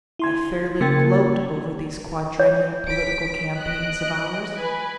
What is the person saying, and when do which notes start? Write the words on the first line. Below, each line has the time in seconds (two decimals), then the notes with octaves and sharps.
I fairly gloat over these quadrennial political campaigns of ours.
0.19 E4 C6 G#6
0.81 C#3 A#3 A#4 G5 G#6 A6
2.40 C#5
2.86 B6 D7
3.56 D#5 F#6 D7
4.54 B4 G#5